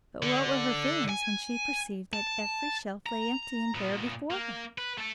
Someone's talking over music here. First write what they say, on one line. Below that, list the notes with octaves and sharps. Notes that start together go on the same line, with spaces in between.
But what were her feelings when she perceived that every shelf lay empty and bare before her!
D3
G#5
A5
A#5
A#2 B3
A#3
B4
A3 A4